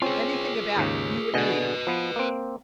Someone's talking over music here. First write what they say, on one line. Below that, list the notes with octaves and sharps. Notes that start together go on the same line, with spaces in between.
"Anything about you and me?"
C4 C#4 F4 G#4
D#2 G#2 C#3
B2 D3 G#4 B4 D#5
F3 B3
A#3 C4